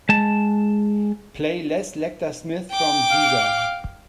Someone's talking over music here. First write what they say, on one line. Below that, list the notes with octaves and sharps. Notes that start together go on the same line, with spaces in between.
Play Les Lecter Smith from deezer.
G#3 A5
G5 D6
F5